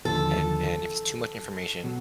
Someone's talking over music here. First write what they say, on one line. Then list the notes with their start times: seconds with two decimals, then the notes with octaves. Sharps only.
And and if it's too much information,
0.05 D#2 D3 F3 A4
1.84 B2 F#3